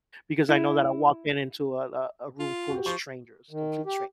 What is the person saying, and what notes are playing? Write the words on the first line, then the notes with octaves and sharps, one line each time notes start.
because I know that I walk in into a a a room full of strangers, complete strangers.
E4
F4
F#4 G4
F3 C#6
D#3
G4